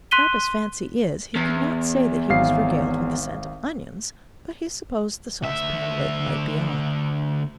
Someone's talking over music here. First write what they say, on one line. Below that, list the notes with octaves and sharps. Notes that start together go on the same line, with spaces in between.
Sharp as fancy is, he could not say that he was regaled with the scent of onions, but he supposed the saucepan lid might be on.
C6 F#6 B6 D#7 G7
E2
G#1 F5 C7
D2 E5